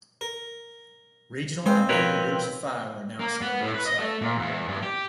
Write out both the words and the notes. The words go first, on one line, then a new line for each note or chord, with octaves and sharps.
Regional and local groups of Fi were announced on the website regularly.
A#4
G#3 C4 B4 C5 F5
B2 D#3 F3 A#4 B4 C#5
A#3
B3
A2
B4
D#5
A3
A#2
E2
G2
G4